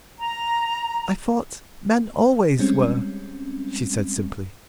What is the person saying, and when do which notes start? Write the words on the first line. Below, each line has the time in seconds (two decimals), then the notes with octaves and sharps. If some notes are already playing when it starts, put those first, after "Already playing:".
"I thought men always were," she said simply.
0.20 A#5
2.59 G3 G#3 C4 C#4